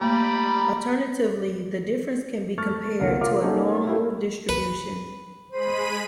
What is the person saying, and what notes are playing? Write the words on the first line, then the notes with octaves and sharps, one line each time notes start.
Alternatively, the difference can be compared to a normal distribution.
G3 A3 A#3 A#5 B5
A3 C#6 F6 A6
C2 D3 A#3
F4 A#4 F5 D6
A#3 C#4 D#4 F#4 G#4 A4
A3 A#3 E4 G4
B4
G#3 C5 B5 D#7